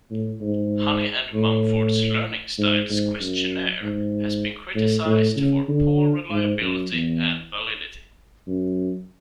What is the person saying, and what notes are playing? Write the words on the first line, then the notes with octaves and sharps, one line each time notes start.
Honey and Mumford's learning styles questionnaire has been criticized for poor reliability and validity.
A2
G#2
A2
G#2
G#2
F#2
G#2
A2
A2
C#3
D3
G#2
F#2
E2
F#2